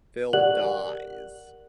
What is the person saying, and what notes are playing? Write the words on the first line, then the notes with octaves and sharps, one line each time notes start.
Phil dies.
G4 A#4 D5 F#5 F#6 F#7